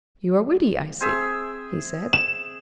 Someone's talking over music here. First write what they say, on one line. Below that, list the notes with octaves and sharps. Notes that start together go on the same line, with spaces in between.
"You are witty, I see," he said.
C4 G#4 E5
E7